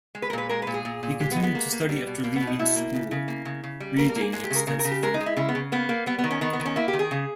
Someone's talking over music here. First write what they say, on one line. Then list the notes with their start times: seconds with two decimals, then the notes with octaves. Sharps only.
He continued to study after leaving school, reading extensively.
0.15 G#3
0.22 B4
0.30 A#4
0.33 A#2 B4
0.49 G#3 A#4
0.62 A#2 B4
0.74 G#4
0.85 A#2
1.03 A#2
1.20 G#3 G4
1.31 B3
1.36 G#3
1.43 B3
1.55 A#3
1.72 A#3
1.89 G3
2.07 B2
2.24 B2 A#3
2.36 B3
2.41 B2
2.47 D#4
2.59 B2 E4
2.76 A#3
2.94 C#3
3.11 C#3
3.28 A#3
3.45 C#3
3.64 C#3
3.80 G3
3.99 A#3 A#4
4.09 A#4
4.16 A#3
4.21 G#4
4.33 G#3 G#4
4.44 G4
4.50 C#3 A#4
4.67 C#3 A#4
4.79 A#4
4.84 C#3
4.91 G4
5.03 G#3 A#4
5.14 D#4
5.20 G#3
5.26 E4
5.37 C#3 E4
5.49 B3
5.55 C#3
5.72 A#3 B3
5.89 A#3
6.06 G3 B3
6.18 B3
6.24 D#3
6.31 C#4
6.41 D#3 B3
6.53 B3
6.60 D#3
6.65 C#4
6.76 A#3 E4
6.88 G4
6.93 D#3
6.99 G#4
7.11 C#3